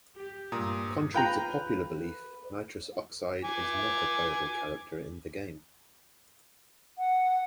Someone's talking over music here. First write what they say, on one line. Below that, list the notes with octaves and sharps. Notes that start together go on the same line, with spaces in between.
Contrary to popular belief, Nitros Oxide is not a playable character in the game.
G4
G2 A#2 G3 A3 A#5 D#6
F4 B4 G5 A#5
G#5 D6
F#5